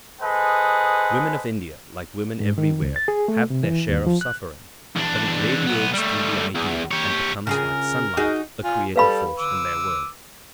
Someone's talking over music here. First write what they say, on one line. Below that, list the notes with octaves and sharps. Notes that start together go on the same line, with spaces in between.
Women of India, like women everywhere, have their share of suffering, but it radiates through the ideal, and becomes, like sunlight, a creative force in their world.
G#4 A4 B4 C5 D#5 F#5
G#2
D#3
C#2
A6
G#4
A3
C3
E3
D#2
F3
F#6
E2 D4
B1 B3
G3 A3
E2
G4 C#5
C#3 F4 G#4 A#4
D#4 F#4 G#4
F4 G#5
G3 A4 B4 F5 B5
D6 E6